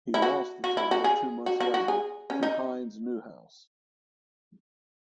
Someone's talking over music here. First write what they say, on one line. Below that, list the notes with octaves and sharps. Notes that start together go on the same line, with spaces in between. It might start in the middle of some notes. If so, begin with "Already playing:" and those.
He lost the title two months later to Heinz Neuhaus.
E4
F#4
F#4
E4
F#4
G#4
F#4
F#4
F#4
G#4
C#4
D#4